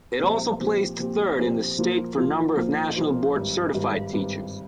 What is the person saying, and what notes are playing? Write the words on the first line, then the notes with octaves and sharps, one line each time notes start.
It also placed third in the state for number of National Board Certified teachers.
A#2 F3 C4 G4
A#2 F3 C4 G4
A#2 F3 C4 G4
A#2 F3 C4 G4
A#2 F3 A#3 F4 C5
A#2 F3 A#3 F4 C5
A#2 F3 A#3 F4 C5
A#2 F3 A#3 F4 C5
G#1 G2 G3
G#1 G2 G3
G#1 G2 G3